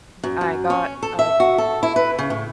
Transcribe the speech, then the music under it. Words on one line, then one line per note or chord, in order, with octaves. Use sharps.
M I got a
F#2
F#2
C#4
A4
E5
F#4
A4
E4
B4
C#3
A2